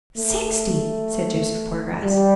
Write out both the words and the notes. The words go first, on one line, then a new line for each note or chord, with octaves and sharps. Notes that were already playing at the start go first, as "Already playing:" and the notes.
"Sixty!" said Joseph Poorgrass.
A3
G3